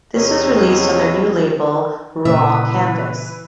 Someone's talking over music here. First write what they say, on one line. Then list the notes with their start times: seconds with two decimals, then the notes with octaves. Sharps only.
This was released on their new label Raw Canvas.
0.16 E2 C3 B3 C#4 C#5 D#5
2.25 A#2 C#3 E3 B4 E5